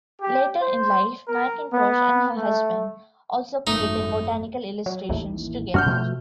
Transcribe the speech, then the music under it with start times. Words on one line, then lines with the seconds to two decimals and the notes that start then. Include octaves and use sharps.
Later in life, Mackintosh and her husband also created botanical illustrations together.
0.21 G4
0.60 C5
1.28 A#4
1.72 B3
2.36 A3
3.67 G#1 F#2 A3 D#4
4.86 F#3
5.09 A1 D#2 A2
5.74 F#2 G3 D4 F#4 F6 G6
5.86 B2 F3 A3